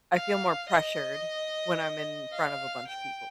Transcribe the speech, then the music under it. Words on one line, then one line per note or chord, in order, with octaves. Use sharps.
I feel more pressured when I'm in front of a bunch of people.
F5
D#5
F5
G5